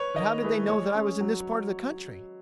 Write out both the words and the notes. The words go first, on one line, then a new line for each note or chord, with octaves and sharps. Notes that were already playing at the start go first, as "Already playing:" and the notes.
"But how did they know that I was in this part of the country?"
Already playing: B4 C#5
D#3 D#5
A3 E4 G#4 B4
G#3 C#5
C#4 G#4
F#3